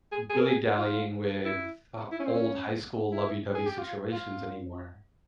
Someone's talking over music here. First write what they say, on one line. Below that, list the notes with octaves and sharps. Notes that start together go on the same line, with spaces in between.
dilly-dallying with a old high school lovey-dovey situations anymore.
G#4
G#4
A#4
G#4
F4
E4
E4
C#4
C4
C#4
E4
G#4
G4
F4
F4